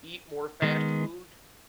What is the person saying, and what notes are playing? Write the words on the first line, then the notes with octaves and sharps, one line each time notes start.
eat more fast food,
D#3 G#3 B3